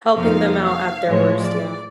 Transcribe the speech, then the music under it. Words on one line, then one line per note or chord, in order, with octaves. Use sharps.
Helping them out at their worst, yeah.
F2 C3 F3 A#3 D#4 F5
F5
A2 F3 G#3 C#5
D5